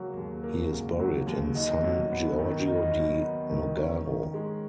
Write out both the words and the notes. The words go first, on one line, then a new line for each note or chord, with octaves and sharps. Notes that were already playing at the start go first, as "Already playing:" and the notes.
He is buried in San Giorgio di Nogaro.
Already playing: C#3 F#3 A#3
D#2
A#3
C#3
F#3
D#2
D#4
F#3
B3
D#3
D#4
F#3
B3
D#3
C#4
D#3
G#3